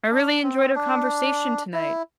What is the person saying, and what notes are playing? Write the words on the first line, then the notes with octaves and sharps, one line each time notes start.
I really enjoyed our conversation tonight.
D4
C4
D4
E4